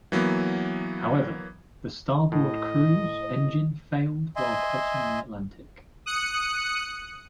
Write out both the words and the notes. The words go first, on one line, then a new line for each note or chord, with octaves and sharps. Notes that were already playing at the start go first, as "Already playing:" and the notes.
However, the starboard cruise engine failed while crossing the Atlantic.
E3 F#3 A#3 B3
A2 D#5
D#5 E5 G#5 C6
D#6 F#6 C#7